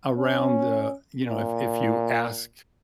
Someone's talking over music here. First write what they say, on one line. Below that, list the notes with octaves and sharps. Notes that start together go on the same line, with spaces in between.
around the you know if if you ask,
C#4
A#2